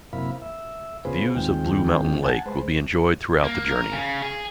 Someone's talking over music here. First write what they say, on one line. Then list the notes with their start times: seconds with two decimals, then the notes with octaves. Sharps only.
Views of Blue Mountain Lake will be enjoyed throughout the journey.
0.13 F#2 C3 A#3 E4 F5 B5
0.42 E5
1.05 C#3 B3 F4 G#4 B4 C5
1.35 D#2 D#3 G#3 C4 F4 G5
2.23 F#5 G#5 A5
2.46 G#3 B4 C5
3.44 A#3
3.71 A#4
3.92 C#3
4.22 G#4